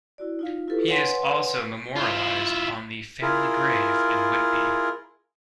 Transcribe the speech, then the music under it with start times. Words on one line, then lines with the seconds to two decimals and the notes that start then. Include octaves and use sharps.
He is also memorialised on the family grave in Whitby.
0.18 E4 F#4 D5
0.39 D#4 F4 F5
0.67 E4 F4 G4 A4 B4
0.86 B4 C#5 F5 F#5 G#5 C6
1.96 E4 F4
3.22 E4 F4 G#4 A#4